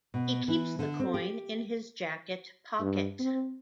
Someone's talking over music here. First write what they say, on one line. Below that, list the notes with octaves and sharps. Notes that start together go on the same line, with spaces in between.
He keeps the coin in his jacket pocket.
B2
E3
D3
C4
G4
G2
C4